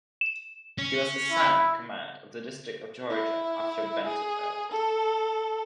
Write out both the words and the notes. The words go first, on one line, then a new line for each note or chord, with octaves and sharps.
He was assigned command of the District of Georgia after Bentonville.
E7
C#4
E4
E4
G#4
A4